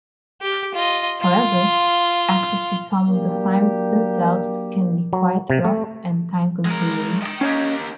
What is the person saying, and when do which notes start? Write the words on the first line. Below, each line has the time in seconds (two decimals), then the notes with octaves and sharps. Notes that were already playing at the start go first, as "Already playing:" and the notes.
However, access to some of the climbs themselves can be quite rough and time-consuming.
0.42 G4
0.74 F4 D#5
1.21 F4
3.07 F#3 A#3 D4 G4
5.13 F#3
5.50 C3
5.65 A3
6.66 G#3 A#4
7.22 D#5 G5
7.41 A#3 C#4 G4 C#5 D#5